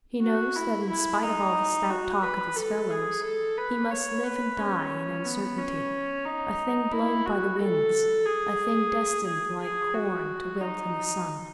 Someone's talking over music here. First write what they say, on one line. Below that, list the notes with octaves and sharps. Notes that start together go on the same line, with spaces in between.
He knows that in spite of all the stout talk of his fellows he must live and die in uncertainty, a thing blown by the winds, a thing destined like corn to wilt in the sun.
F#4
E4
E4
D#4
F#4
B4
A4
G#4
A4
B4
C#5
B4
C#4
B3
C#4
D#4
E4
F#4
A4
G#4
G#4
G#4
F#4
D#4